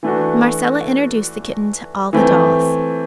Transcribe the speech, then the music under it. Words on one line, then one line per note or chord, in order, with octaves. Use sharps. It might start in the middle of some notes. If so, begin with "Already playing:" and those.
Marcella introduced the kitten to all the dolls.
E3 A3 D4 F#4
E3 A3 C4